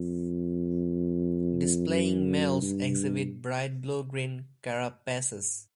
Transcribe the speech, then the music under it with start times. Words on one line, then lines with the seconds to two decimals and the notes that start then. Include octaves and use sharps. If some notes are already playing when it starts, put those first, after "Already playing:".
Displaying males exhibit bright blue green carapaces.
Already playing: F2
1.89 F#2
2.62 G2